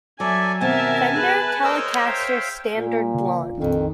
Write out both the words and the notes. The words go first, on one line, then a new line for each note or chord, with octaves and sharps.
Fender Telecaster Standard Blonde.
F#3 A4 D5 E5 G#5
D#2 B2 C4 A#4 E5 G#5 A5
G#4 B4
A#4 C5 C#5 D#5 E6
E5 F5 G5
A#2
C#3
A#1 F2 D#3 D4